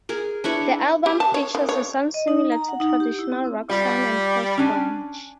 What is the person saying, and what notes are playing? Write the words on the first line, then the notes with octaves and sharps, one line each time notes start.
The album features a sound similar to traditional rock sound and post-grunge.
G#4 A#4
D4 E4 B4 C#5
G4
A5
C#5
D#3
C#5
D#5
D#4
A#5
F#5
D#4
G4
E4
C4
G3 F4
C#4 D4 G#5